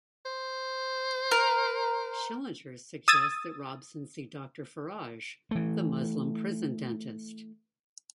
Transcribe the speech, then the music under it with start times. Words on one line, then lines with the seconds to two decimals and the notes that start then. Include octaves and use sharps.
Schillinger suggests that Robson see Doctor Faraj, the Muslim prison dentist.
0.25 C5
1.31 A#4
3.08 D#6 E6 G#6 A6 D#7
5.51 E3 A3